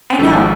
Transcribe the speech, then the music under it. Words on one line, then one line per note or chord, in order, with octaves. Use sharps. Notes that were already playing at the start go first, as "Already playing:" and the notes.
I know.
G#1 G#2 F3 A4